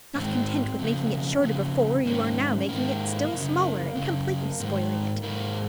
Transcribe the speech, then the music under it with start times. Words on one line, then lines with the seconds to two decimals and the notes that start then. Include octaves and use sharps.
Not content with making it shorter before, you are now making it still smaller, and completely spoiling it.
0.15 G#2 D#3 C4
0.79 F2 C#3
1.42 F2 C#3
2.06 G#2 D#3 C#4
2.69 G#2 D#3 A#3
3.32 F#2
3.38 C#3
3.96 F#2 C#3
4.60 G#2 D#3
5.23 G#2 D#3 A#3